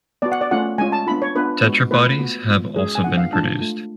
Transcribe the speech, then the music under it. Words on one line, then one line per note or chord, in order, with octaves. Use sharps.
"Tetrabodies" have also been produced.
B3 F#4 D5
F#5
D5
A3 C#4 F4 F#5
G#3 C#4 F4 G#5
A5
B3 D4 F4 B5
C#5
B3 D4 F4 B4
G#3 B3 F#4
A3 F4 B4
B3 F#4
G#3 B3 F4
G#3 C#4 F#4 G#4
G#5
B3 D4 F4 F#5
F5
G#3 D4 F4 A5
A3 F4